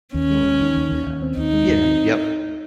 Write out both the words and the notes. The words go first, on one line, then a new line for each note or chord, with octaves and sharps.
Oh yeah, yeah, yep,
D#2 C#4
G#3
D#2
D#3
D#2
D#2
D#2
C4
D#2 D#4
G#3
D#2
C4